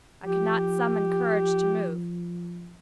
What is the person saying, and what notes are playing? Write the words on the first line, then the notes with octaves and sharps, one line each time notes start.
I could not summon courage to move.
F3 G4